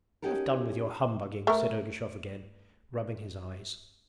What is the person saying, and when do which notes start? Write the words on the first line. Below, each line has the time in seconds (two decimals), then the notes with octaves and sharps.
'Have done with your humbugging!' said Ergushov again, rubbing his eyes.
0.22 C#4 D#4 F#4 G4 A4 A#4
1.47 A3 A#4